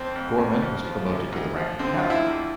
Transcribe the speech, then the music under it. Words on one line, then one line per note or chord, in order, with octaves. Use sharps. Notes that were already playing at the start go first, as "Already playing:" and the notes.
Gorman was promoted to the rank of Captain.
Already playing: F2 C4
F2
F2
F2
F3
D2
D2
F3
D3 C4
F3 F4
E4
E2